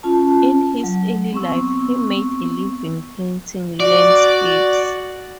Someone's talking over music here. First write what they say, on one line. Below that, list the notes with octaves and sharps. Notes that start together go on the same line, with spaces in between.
In his early life, he made a living painting landscapes.
C#4 F4 A5
F#3
B3 C4 C#6 E6
F#4 D5